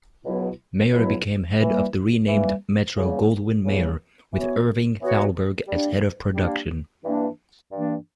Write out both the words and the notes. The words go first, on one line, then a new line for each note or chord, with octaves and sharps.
Mayer became head of the renamed Metro-Goldwyn-Mayer, with Irving Thalberg as head of production.
C#2 B2 F#3 B3 E4
C#2 B2 F#3 B3 E4
E3 G3 A#3
E3 G3 A#3
E2 C#3 G3 A#3
E2 C#3 G3 A#3
E3 B3 F#4 C#5
E3 B3 F#4 C#5
G3 A#3 D4
G3 A#3 D4
G2 E3 A#3 D4
G2 E3 A#3 D4